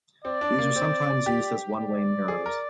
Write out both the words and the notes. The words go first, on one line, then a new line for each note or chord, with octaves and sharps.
These are sometimes used as "one-way mirrors".
C4 D5
D4
A#3
C4
G4
D5
G#4
A#4